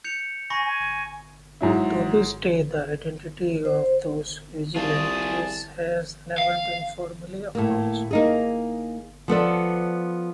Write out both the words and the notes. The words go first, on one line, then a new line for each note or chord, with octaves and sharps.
To this day the identity of those vigilantes has never been formally acknowledged.
G6 C#7 F7
G#5 B5 C#6 A#6
G#5
G#2 F#3 E4
C5
C2 F4 G#4 A5
F5
A2 A#3
A#3 D#4 G#4
F3 B3 A4 D5